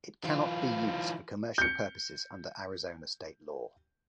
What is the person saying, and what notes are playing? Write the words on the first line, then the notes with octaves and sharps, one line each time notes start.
It cannot be used for commercial purposes under Arizona state law.
E3 F4
G6 C#7